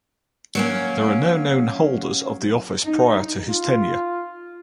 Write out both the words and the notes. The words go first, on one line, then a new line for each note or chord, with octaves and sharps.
There are no known holders of the office prior to his tenure.
F#3 A#3 C#4
D#4
F4